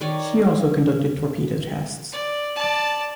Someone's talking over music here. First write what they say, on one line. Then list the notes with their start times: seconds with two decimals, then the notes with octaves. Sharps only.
She also conducted torpedo tests.
0.01 D#3 C#5 D5
2.12 D5
2.56 D5 A5